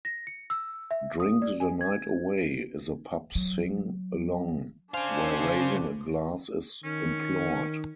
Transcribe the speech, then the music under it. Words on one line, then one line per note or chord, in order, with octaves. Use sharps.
"Drink the Night Away" is a pub sing-along where raising a glass is implored.
A#6
C#7
E6
E5
D#6
D5
G#5
G#6
F#3
C#3 D4 C5 F5 G#5
D#3 C#4